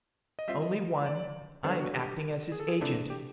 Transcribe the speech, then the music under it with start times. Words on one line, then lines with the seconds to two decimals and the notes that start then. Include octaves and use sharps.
"Only one: I'm acting as his agent."
0.39 D#5
0.48 G3 C4 F4 E5
0.62 D#5
1.06 D5
1.64 D3 G3 B3 C5
1.79 F#4
1.94 G4
2.52 G#4
2.60 A4
2.68 G#4
2.81 C3 E3 A3 D4
3.10 G4